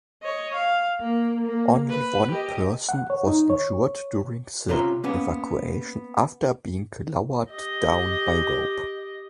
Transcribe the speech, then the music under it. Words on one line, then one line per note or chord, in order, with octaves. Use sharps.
Only one person was injured during the evacuation after being lowered down by rope.
C#5 D#5
F5
A#3
A#3
B4
G4 D#5
F#5
C#5
D#4
C#5
C3 C#4 F4 E5 A#5 C6
A#3 B3 C#4
G4 D#5